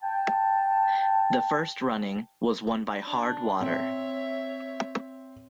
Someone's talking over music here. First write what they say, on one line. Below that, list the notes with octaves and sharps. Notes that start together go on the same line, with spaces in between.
The first running was won by Hard Water.
G5 A5
D4
C4 C#5 E5